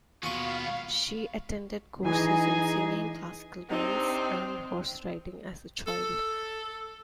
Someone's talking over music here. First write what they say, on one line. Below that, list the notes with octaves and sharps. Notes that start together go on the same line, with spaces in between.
She attended courses in singing, classical dance, and horse-riding as a child.
D#2 B2 G#3 B3 F4 F5 C#6
E3 D#4 G#4 G#5
C3 C4 D4 D#4
A4